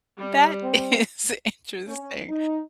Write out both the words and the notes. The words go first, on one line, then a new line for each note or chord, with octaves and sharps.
That is interesting.
G3
C4
C#4
D#4